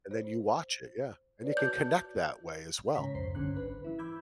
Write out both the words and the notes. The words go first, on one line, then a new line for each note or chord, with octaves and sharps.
And then you watch it, yeah. And you can connect that way as well.
C5
B4 C#5 D5
F#4 A5 D6 G6
G#2 C#3 C#5 A#5 B6
C2 F2 C5 C7
G#1 G2 D3 C#4 F#6
B4
E3 E4
B5 D6 E6 G6 G#6